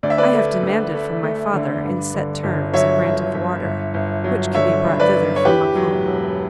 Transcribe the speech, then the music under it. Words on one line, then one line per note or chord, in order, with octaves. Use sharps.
I have demanded from my father, in set terms, a grant of water, which can be brought thither from Maucombe.
D2 D5
E5
B4 D5
A3
D2
A3
A3
D3
G2
D3
G1
F#3 C#5 E5
G1
G1
G1
G1
F#3
D3 C#5 E5
G2
B4 D5
G1
C#5
E2 G4 B4
F#3
E1